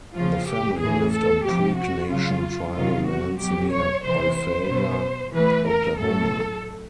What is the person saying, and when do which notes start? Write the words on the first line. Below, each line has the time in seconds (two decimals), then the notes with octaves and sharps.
The family lived on Creek Nation tribal lands near Eufaula, Oklahoma.
0.15 C#3 F3 F4
0.48 G4
0.79 A2 E3 G#4
1.12 A4
1.45 C3 F3 G4
1.77 F#4
2.09 C#3 F#3 F4
2.74 C3 D#3 F#3 F4
3.07 F#4
3.39 B2 F#3 G4
3.71 C#5
4.04 C3 E3 C5
4.36 C5
4.68 B2 F#3
5.33 A2 E3 B4
5.66 A#4
5.98 A2 F#3 A4